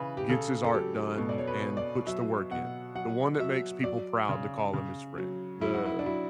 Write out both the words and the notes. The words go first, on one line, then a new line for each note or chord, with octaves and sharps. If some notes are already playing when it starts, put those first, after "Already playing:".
gets his art done, and puts the work in. The one that makes people proud to call him his friend. The
Already playing: C#3 E3 B4
G4
C#3 A4
A4
F#3 G4
B2 A4
D5
C#5
B4
B2
D5
F#3 E5
B2 F#5
F#3 F#5
F#3 E5
F#3 D5
C#3
C#3
F#3
F#3 E4
F#4
E4
D4
F#3 E4